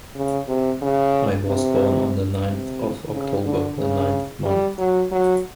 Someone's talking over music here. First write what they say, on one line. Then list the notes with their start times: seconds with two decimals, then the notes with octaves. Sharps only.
I was born on the ninth of October, the ninth month.
0.16 C#3
0.48 C3
0.82 C#3
1.47 C3
2.46 C3
3.12 C#3
3.46 D3
3.78 C#3
4.45 G3
4.78 F#3
5.12 F#3